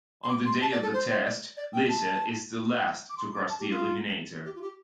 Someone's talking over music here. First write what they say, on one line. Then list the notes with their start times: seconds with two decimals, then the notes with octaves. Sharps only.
On the day of the test, Lisa is the last to cross the Eliminator.
0.23 C6
0.29 D6
0.46 C6
0.61 A5
0.72 D5
0.82 A4
0.93 C5
1.09 C5
1.25 D5
1.57 D5
1.73 G5
1.89 A5
3.10 D6
3.18 C6
3.34 D6
3.49 A5
3.60 G4
3.70 F4
4.45 G4
4.55 F4
4.61 G4